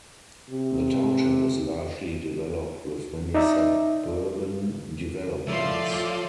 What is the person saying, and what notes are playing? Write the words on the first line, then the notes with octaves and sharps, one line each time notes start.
The township is largely developed with many suburban developments.
C3
D#4 D5 E5
A2 F3 D5 E5 F5 C6